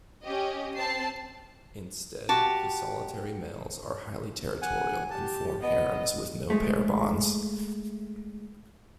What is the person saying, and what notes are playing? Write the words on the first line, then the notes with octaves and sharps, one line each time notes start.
Instead the solitary males are highly territorial and form harems with no pair bonds.
C#4 G4 D#5
C4 A5 C7
F#4 G4 A5
F#5 G#5
G4 A5
B3 D#5
G#3 A3